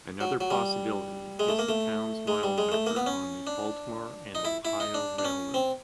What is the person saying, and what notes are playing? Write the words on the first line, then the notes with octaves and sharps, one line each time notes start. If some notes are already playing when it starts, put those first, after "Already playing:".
Another possibility is the town's mile marker on the Baltimore and Ohio Railroad.
F#3
F#3
G3
G#3
A3
A#3
A3
G#3
G3
G#3
A3
A#3
B3
C#4
D4
D#4
E4
E4
D#4
D4
D4
C#4
C4